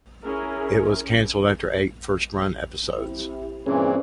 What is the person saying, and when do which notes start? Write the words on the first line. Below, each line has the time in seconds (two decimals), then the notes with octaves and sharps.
It was canceled after eight first-run episodes.
0.23 C#4 E4 G#4 A#4
2.97 C4 E4 G4
3.66 G2 A#2 E3 C4 C#4 G#4